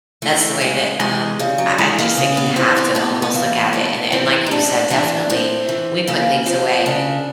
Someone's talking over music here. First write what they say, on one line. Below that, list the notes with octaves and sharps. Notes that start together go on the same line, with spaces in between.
That's the way that, um, I I just think you have to almost look at it and and like you said, definitely, we put things away.
E3 A3
C#3 G#3
E3 G#3
C#3 G3
F#3
E3 G#3
A#3
C#3 B3
B3
E3 C4
C4
A2 B3
B3
E3 A#3
A2 B3
E3 C4
D#4
A2 D4
E3 D4
A2 C4
E3
C#3 A#3
F3 C4
C#3 D4